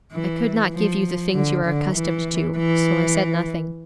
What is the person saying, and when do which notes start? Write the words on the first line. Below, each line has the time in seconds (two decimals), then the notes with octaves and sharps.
I could not give you the things you are accustomed to, so I said nothing.
0.12 E3
0.73 F3
1.35 D3
1.66 D3
1.95 E3
2.57 E3